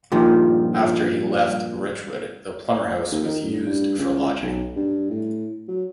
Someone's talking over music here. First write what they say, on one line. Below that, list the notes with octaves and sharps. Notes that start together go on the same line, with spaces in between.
After he left Richwood the Plummer house was used for lodging.
G2 A#2 D#3 F3
D#2
D#3
A2
G2
C#2
B1
G2
A2
F#3